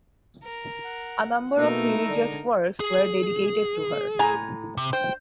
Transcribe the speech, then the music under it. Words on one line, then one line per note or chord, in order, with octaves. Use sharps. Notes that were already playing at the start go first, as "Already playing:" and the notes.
A number of religious works were dedicated to her.
A#4
F#5
B2 A3 A#3 D#4 E4 A#4
D3 G#3 D4
G#4
A2 G#5 A#5
C3
C5 G5